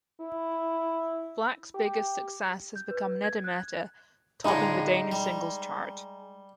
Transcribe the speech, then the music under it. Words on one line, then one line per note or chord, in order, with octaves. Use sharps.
Blak's biggest success has become "Nede mette" topping the Danish singles chart.
E4
G4
G6
B4
G#6
F#6
C#2 A2 D3 G#3 D#4
G3